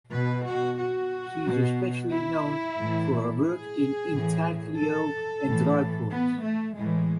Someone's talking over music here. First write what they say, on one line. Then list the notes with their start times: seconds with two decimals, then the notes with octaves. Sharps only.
She is especially known for her work in intaglio and drypoint.
0.11 B2 B4
0.45 F#4
0.79 F#4
1.45 B2
2.12 E4
2.78 A2 E3
3.45 G#4
4.11 A2 E3
4.78 A4
5.45 A2 E3
6.11 B3
6.44 A3
6.78 A2 E3 G#3